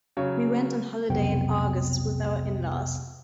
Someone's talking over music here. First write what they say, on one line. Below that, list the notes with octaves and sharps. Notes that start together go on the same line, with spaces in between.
We went on holiday in August with our in-laws.
C#3 F#3 C#5
B1 F2 C3 B3 G5